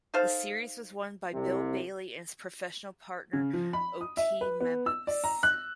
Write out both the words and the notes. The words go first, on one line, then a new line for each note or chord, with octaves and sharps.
The series was won by Bill Bailey and his professional partner Oti Mabuse.
D#4 A4 C5 F5
C2 C3
C#3
F3
B5
D#6
E5
B4
B3
E6
D5
A#5
F#6